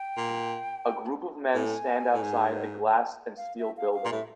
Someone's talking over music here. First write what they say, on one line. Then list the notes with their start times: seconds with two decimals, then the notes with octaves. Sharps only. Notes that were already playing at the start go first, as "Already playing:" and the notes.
A group of men stand outside a glass and steel building.
Already playing: G5
0.17 A#2
1.54 A2 G#5
2.14 A2
2.23 G#2
2.91 G#5
3.37 F5
3.59 E5
3.77 F5
3.94 F5
4.05 A#2
4.11 A2 E5